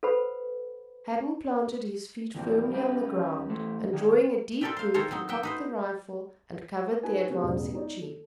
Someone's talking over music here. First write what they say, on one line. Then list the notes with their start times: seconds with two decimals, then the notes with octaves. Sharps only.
Hadden planted his feet firmly on the ground and drawing a deep breath, he cocked the rifle and covered the advancing chief.
0.03 A4 B4 C5 F#5 B5
2.35 F2 E3 F3 G3 A#3 C4
2.70 G3 C#4 D#4 B4
3.49 E3 A3 C5
3.93 D#3 G3 G#4
4.61 C4 A4 A#4 D5 E5 G5
4.77 C5 F5
4.94 D#3 A4 A#4 C5 C#5
5.11 F#3 C4 D#4
5.29 F#4 E5 G5
5.43 D#4 B4 C5
7.03 D#4 G4 B4 G#5 A5
7.29 C#3 G3 A#3 B3 C#4 F#4
7.43 E1 A1 E2
7.75 D#4 C#5 D5
8.02 A4